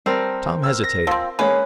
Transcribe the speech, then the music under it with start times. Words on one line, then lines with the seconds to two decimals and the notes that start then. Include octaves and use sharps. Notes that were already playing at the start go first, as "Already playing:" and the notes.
Tom hesitated.
0.06 G3 C4 A#4 A5 E6
0.64 E6 F6
0.84 A#6
1.07 F3 C4 E6
1.39 G#3 A#3 C#4 B4 C#5 G#5